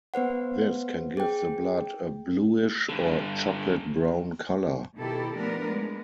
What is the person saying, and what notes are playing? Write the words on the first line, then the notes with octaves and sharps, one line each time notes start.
This can give the blood a bluish or chocolate-brown color.
B3 B4 C5 F#5
G#4 G5
G2 D3
B2 D#3 E4 G4 A4
F3 A3 B3 D4 A#4 B4
G#3